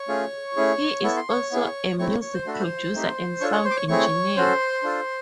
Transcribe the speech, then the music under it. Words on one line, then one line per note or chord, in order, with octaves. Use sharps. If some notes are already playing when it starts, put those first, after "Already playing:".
He is also a music producer and sound engineer.
Already playing: C#5 C#6
A3 C#4 F4 G#4
A3 C#4 E4 G#4
B3 E4 A4 C#6
C6
C#5 C#6
B3 E4 G#4
A3 C4 E4 C#5 C#6
C#5 C#6
C#5 C#6
C5 C6
A3 D4 F#4 A4 C6
B5
C5 C6
A3 C4 D#4 G4
D4 F4 A4 C#5 C#6
C#5 C#6
C5 C6
D6
C#5 C#6
A3 C4 E4 G#4 C#5 C#6
C#4 F#4 A4 C5 C6
D4 F4 A4